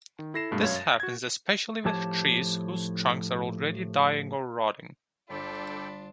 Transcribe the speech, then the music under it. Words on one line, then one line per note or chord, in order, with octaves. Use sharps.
This happens especially with trees whose trunks are already dying or rotting.
D#3
E4 A4 A#6 C7 E7
G2 B2 G#3 A3
F#2 C#5 F5 G#6
A6
F#4 G#6
A2 F3 G4 C#5 A5
G1 D4 F4 A4 D5 G5 B5